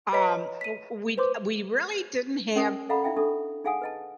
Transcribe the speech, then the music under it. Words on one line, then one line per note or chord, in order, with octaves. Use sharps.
um, w we d uh, we really didn't have
B4 C#5 D#5 A#5 B6
B6 D#7
B4 C5 C6 D6
C#4 A#4 C#5 D#5 D#6
A4 D#5 F5 F#5 A#5 B5
D#4 E4 E5 F5 G5
D4 A4 E5 C#6 D#6
D#4 G#4 F5 F#5 G#5 D#6
B4 D#5 A5